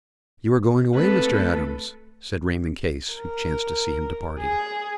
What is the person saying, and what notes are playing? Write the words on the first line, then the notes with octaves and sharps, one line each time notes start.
"You are going away, Mr. Adams?" said Raymond Case, who chanced to see him departing.
A3 C4 A4 B4
A#4
G#4